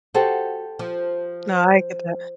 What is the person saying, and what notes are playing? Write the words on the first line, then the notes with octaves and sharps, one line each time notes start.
No, I get that.
F#4 G4 A4 C5
F3